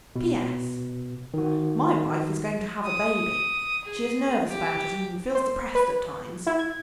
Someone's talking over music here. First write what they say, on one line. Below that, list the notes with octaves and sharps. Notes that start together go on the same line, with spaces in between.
P.S.--My wife is going to have a baby; she is nervous about it and feels depressed at times.
B2
D#3 F#4
D#6
G#4
G4
C5
B4
E4
G#6